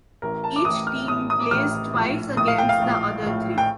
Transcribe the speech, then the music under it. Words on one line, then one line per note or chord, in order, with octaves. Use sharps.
Each team plays twice against the other three.
A1 A2 A#4
A5
D6
A1 A2 D#6
F6
A1 A2 D#6
D#6
D6
A1 A2 F6
A#1 A2
A#1 A2 D#6
F5
G5
F5
A#1 A2
A#1 A2
G5